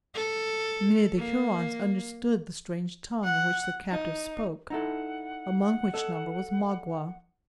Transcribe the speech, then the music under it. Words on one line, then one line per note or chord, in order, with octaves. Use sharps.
Many of the Hurons understood the strange tongue in which the captive spoke, among which number was Magua.
A4
A#3
F#5
D#4
D#4 E4 A4 F#5
A4 D#5